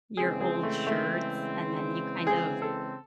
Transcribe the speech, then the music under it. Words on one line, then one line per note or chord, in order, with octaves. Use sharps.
your old shirts, and then you, kind of,
C#3 E3 G#3 C4 G#4
G#4
A3
A3
G#4
A4